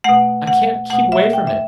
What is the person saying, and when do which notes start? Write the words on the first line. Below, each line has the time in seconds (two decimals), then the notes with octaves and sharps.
'I can't keep away from it.
0.04 B2 A3 F#5
0.47 F#5
0.90 B2 A3 F#5
1.12 E5
1.33 G5
1.47 E5